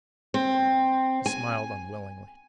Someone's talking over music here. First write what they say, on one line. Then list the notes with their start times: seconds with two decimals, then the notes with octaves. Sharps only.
He smiled unwillingly.
0.34 C4
1.26 G#5